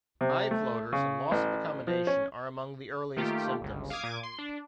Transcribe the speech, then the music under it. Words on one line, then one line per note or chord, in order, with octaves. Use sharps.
Eye floaters and loss of accommodation are among the earliest symptoms.
C3
A3
C#3
A1
F3
C#4
D#3 A3 A#3 F4 G4
G1 C#2
F5 D6 D#6 G#6
A#2 D6 G#6 D#7
C6
D4